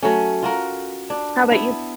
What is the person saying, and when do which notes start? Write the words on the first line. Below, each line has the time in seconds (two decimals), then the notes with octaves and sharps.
How about you?
0.03 F#3 A3 C#4
0.43 F4 F#4 A#4
1.10 D4
1.52 B3 E4